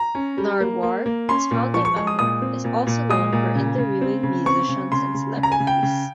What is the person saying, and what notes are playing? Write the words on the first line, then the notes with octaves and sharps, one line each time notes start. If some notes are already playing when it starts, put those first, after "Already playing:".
Nardwuar, its founding member, is also known for interviewing musicians and celebrities.
Already playing: A#5
C#4
G3
A#3
A#3
A#3
C#4 C6
A#2
F3 C#6
C#6
G#3 C#6
D#6
A#2 D#6
C4
A#2
A#2
G#3 D#6
A#2
C#3
C#3
C4
C#3
C4 C#6
C#3
C#3 C6
C#3
C#3
A#5
G#5
C#3
G5
C#3